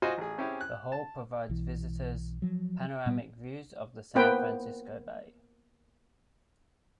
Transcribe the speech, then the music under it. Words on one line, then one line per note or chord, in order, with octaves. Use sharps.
The Hall provides visitors panoramic views of the San Francisco Bay.
F4 F#4 C5 D#5 G#5
A1 G#4
C4 C#4 E4 G4 G#4
F#6
A5
B1 E3
F3 F#3
A#2 G3 B3
A#3 B3 B4 C5 G5